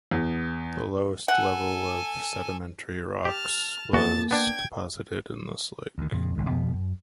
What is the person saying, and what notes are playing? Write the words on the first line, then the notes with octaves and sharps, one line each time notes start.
The lowest level of sedimentary rocks was deposited in this lake.
E2
A4 F#5 G#5
G4 A5 F6
E2 A#3 F#4 A5 A6
B3 D4 G5 G#6
D2 D#3
F2 A#2 C#3
G#1 C#2 G#2 D#3
F2 B2 F3 B3
F#2